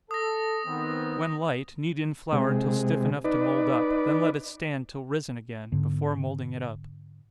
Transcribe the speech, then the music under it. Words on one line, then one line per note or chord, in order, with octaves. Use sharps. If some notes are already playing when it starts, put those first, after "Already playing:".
When light, knead in flour till stiff enough to mould up, then let it stand till risen again, before moulding it up.
A4 D#6 A#6
D#3 B3 C4
C3 G#3
D#4 B4 D5
G#2 D3 B3